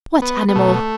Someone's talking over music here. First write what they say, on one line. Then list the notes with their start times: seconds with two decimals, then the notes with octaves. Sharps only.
"What animal?"
0.22 B3
0.48 B3
0.55 B2 A3